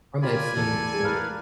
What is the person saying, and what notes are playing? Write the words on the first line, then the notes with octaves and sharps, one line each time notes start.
from Epstein through
F4 G4 A#4 D5 G#5 B5
E2 A4 D5
A#4 B4 F5